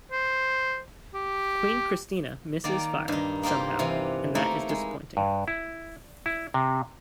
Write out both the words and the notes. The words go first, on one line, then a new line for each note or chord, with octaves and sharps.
"Queen Christina" misses fire, somehow, and that is disappointing.
C5
G4
D#3 A#3 D5
G2 D#4
A#3 D#4 F4 G4 C5
C3 E3 F5
A3 A#3 D#4 E4
G#3
G2
E4
E4
C3